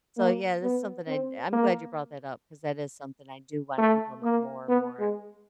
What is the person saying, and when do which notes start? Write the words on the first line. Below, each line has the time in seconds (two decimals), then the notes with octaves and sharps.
So, yeah, that's something I'd I'm glad you brought that up 'cause that is something I do wanna implement more and more.
0.17 A#3
0.62 B3
1.08 C4
1.53 A#3
3.78 A3
4.23 A#3
4.69 B3
4.99 G#3